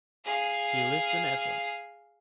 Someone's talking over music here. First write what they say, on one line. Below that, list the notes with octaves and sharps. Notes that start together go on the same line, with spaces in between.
He lives in Esher.
G#4 F5